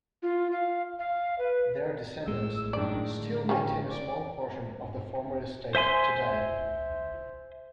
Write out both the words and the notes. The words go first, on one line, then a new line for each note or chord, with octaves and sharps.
Their descendants still maintain a small portion of the former estate today.
F4
F5
F5
B4
A2 G#3 E6
F#2 D#3 D4 D5
D3
C#3 G3 C#4
D5
C5 E5 G#5 C6